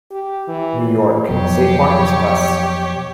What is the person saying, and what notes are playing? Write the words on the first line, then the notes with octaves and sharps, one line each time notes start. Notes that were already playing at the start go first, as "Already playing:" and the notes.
New York: Saint Martin's Press.
G4
E3
F2 B2 F#3 G4 C#5